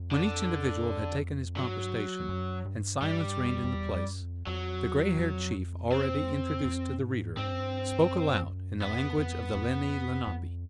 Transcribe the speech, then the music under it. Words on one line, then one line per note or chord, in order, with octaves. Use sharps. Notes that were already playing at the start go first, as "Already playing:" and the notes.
When each individual had taken his proper station, and silence reigned in the place, the gray-haired chief already introduced to the reader, spoke aloud, in the language of the Lenni Lenape.
Already playing: F2
D3
G2 F#3
F#2
G2
G2 G3
F2
F2
E2
F#2
F2
F2 F#3
E2
F2
C4
F2
G#2
G#2 C4
G2
F#2
G2
F#2
F2 B3
F2
F2
F2